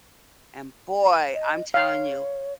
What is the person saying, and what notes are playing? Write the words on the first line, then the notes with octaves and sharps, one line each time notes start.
And boy, I'm telling you,
D#5
C#5 F5